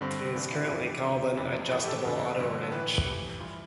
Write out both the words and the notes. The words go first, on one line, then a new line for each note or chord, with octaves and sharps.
It is currently called an "Adjustable Auto Wrench".
G2 D3 C4
A2 E3 D4
E4
G4
F2 E3 F4
G4
E2 D3
F2 C3 E3
A2 E3 A4
G4
A4
F2 D3
G2 D3
A4
A2 E3 B4
F2 E3 G4
G2 E3 F4